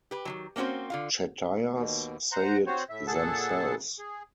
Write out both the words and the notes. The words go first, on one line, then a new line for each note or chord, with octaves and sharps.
Chettiars say it themselves.
G4 B4
D#3 E3 F#3
A#3 C4 C#4 F#4 C5
D3 F4 F5
D#2 B2
C5 F#5 A#5
C4 F#4 C5 C#5
A2 E5
A#2 G#4 A4 F#5 A5
G#4